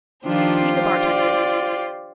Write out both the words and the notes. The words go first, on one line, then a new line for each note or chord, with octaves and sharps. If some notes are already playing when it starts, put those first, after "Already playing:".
See the bartender.
D#3 F3 D4 F4 G4 C5
D5